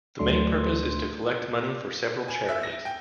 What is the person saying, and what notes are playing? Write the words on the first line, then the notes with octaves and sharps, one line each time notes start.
The main purpose is to collect money for several charities.
D2 F#3 A3 D4 C6
G#5
E5
A#6
G5